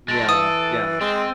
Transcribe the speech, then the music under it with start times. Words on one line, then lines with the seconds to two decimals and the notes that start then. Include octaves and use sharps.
Yeah, yeah.
0.08 G#3 A4 A6 D7
0.29 E3 A4 D#6 E6 D#7
1.01 G#3 C4